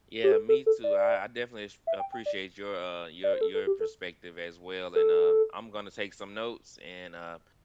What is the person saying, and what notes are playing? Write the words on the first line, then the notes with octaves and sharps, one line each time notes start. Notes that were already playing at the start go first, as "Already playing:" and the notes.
Yeah, me too, I I definitely as appreciate your, uh your your perspective as well, and, uh, I'm gonna take some notes and, uh,
G4
A4
A4
A4
D5
E5
G5
G5
D5
D5
C5
A4
A4
G4
A4
A4